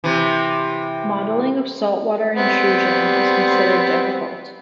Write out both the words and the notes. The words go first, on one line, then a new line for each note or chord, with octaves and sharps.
Modeling of saltwater intrusion is considered difficult.
C3 E3
G3 B3 C4